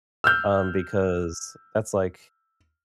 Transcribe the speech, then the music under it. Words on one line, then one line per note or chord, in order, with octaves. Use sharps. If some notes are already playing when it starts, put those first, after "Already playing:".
um, because that's, like
E6 F6 G6